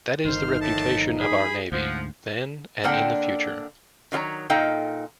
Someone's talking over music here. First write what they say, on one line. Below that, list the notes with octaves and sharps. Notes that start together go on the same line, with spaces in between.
That is the reputation of our Navy, then and in the future.
G1 D#3 F3 A3 D#4 C5 F6
A2 A5
G#4 B5
D2 G#2 F3 F#5
D3 A#3 C4 D4 F#5 G5
D#3 F#3 F4 C#5 A#5
A#2 D#4 A4 D#5 F5 G5